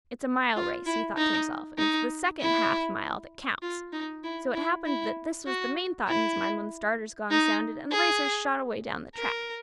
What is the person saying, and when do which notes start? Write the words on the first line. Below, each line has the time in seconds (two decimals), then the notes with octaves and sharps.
"It's a mile race," he thought to himself, "and it's the second half mile that counts." So it happened that this was the main thought in his mind when the starter's gong sounded and the racers shot away down the track.
0.56 F4
0.86 E4
1.17 D#4
1.78 D#4
2.40 E4
3.62 F4
3.93 D#4
4.24 E4
4.55 E4
4.86 E4
5.46 F#4
6.08 E4
7.31 D#4
7.92 G#4
9.16 A#4